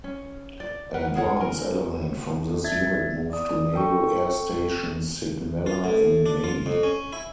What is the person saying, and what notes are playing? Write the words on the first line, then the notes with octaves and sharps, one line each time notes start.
An advance element from this unit moved to Naval Air Station Sigonella in May.
C#4
D5
A#4 B4 F#5
G#4 A#4 C#5 F#5
A#4 G#5
D4 E5 G#6 A6
D5 D#6
A4 G5 C#6
F4
A2
D4
F4
F2
C#4
E4